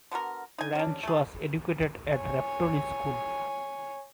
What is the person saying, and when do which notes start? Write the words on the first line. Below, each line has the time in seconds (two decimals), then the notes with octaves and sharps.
Wrench was educated at Repton School.
0.11 D3 B3 F#4 A#4
0.58 D#4 G#5
0.75 C#4 D4
1.03 A3 G#4
2.11 C#5 G#5